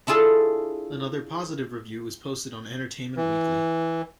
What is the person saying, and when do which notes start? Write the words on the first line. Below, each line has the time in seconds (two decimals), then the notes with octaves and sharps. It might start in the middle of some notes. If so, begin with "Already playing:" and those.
Another positive review was posted on "Entertainment Weekly".
0.07 D4 E4 F4 G#4 A4
3.16 E3